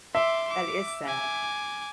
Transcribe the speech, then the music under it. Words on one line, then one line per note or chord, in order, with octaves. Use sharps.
That is sad.
E5 C6 D6
D6
G#5 D6